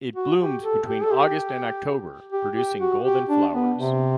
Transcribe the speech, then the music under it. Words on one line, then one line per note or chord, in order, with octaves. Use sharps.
It blooms between August and October producing golden flowers.
F#4
G4
A4
G4
A4
G4
G4
G4
F#4
G4
D4
B3
C3